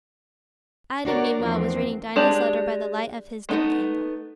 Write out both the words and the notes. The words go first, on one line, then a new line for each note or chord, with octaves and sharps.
Adam, meanwhile, was reading Dinah's letter by the light of his dip candle.
D4 F#4 A#4 C#5 D5
E2 F3 C4
G#3 D4 G4 D5 A5
A3 B3 D#4